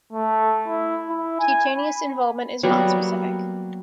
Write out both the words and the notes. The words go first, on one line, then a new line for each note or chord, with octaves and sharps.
Cutaneous involvement is not specific.
A3
E4
E4
G#5
B5
F#3 G3 A#3 B3